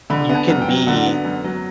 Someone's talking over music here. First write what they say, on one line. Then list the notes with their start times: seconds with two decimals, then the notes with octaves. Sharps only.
you can be
0.10 D3 B5
0.29 B3
0.35 A5
0.48 F#2
0.61 G5
0.68 F#3
0.87 D3 F#5
1.06 B3
1.25 F#2
1.44 F#3